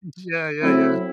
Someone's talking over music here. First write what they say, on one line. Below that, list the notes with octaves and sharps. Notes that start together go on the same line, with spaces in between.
Yeah, yeah, yeah.
F#3 A3 C4 E4